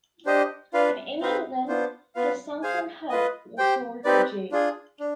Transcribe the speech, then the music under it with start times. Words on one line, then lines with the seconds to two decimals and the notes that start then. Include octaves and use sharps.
In any event, her sunken hulk was sold to J.
0.26 D4 G4 C5 D#5
0.73 D4 F4 B4 F5
1.21 C4 D#4 B4 F5
1.68 B3 D4 F4 C5
2.15 B3 F4 B4 F5
2.62 G#4 C5 F5 G#5
3.10 F4 B4 D#5
3.58 G4 C5 G5
4.04 C4 D#4 G4 B4 D5
4.52 D4 F4 G#4
5.00 D4